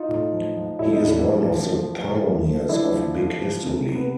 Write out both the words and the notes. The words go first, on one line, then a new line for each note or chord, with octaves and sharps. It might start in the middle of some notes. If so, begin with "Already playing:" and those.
He is one of the pioneers of big history.
Already playing: D#4 F4
A2
F3
F3
A2 E4
D#4
A2 D4 E4
F3
F3
F3
F3
F3
F3
F3 D4 E4
F3
F3
F3
C3
C3
B3